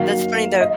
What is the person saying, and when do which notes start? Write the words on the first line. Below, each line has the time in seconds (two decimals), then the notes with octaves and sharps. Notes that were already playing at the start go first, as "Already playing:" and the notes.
That's funny, though.
Already playing: F#2 D#3 F#3 A#3 F5
0.61 D#5